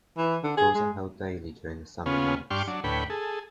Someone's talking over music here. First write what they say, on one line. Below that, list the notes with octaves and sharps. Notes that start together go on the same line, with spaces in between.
Tours are held daily during the summer months.
E3
D3
G#4
G#3
C#3 B3 C#4 F4
G2 D4 G5 C6 C#6 F6
F#3 D4
D2 A2 B4 C#5 G5 B5
G#4 A4